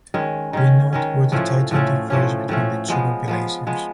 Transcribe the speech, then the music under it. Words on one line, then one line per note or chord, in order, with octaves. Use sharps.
We note where the title differs between the two compilations.
D#3 G#3 C#4
D#3 G#3 C#4
D#3 G#3 C#4
A2 F3 A3 C#4
A2 F3 A3 C#4
A2 F3 A3 C#4
A2 F3 A3 C#4
F3 G#3 B3
F3 G#3 B3
F3 G#3 B3